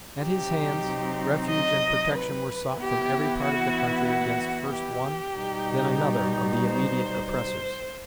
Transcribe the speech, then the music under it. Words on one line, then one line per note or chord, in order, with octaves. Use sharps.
At his hands, refuge and protection were sought from every part of the country against first one, then another of the immediate oppressors.
C3 F#3 C4 D#4 G4
D#5
B4
E3 B3 E4 G4
F#4
F#4
G4
B2 G3 D#4
C5
C5